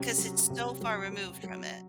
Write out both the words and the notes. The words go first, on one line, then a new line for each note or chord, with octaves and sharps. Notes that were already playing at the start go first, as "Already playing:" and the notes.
'cause it's so far removed from it.
Already playing: C3 F#3 C#4
F#3
C3
F#3
F#3
F#3